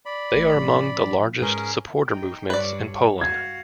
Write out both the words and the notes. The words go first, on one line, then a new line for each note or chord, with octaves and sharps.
They are among the largest supporter movements in Poland.
D5 B5
G1 A3
A2 F3 C#4
G#2 C#4 G#4 A#4 B4
D#4 G5
G2 B4 C#5 D5
F#4 F5 G#6